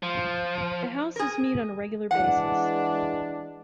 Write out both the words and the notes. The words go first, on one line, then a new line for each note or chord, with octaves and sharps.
The houses meet on a regular basis.
F3
G#4 A#4
E3 G#3 D4 F#5